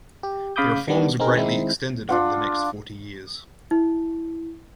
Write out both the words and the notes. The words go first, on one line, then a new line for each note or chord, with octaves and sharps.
The reforms were greatly extended over the next forty years.
G4
C#3 F5 B5 D6 D#6 G6
D#3 E3 G3 B3 D4
C4 D#4 G#4 A#4
D#3 G#3 C4 D#4 E4
D4 F4 F#5
E4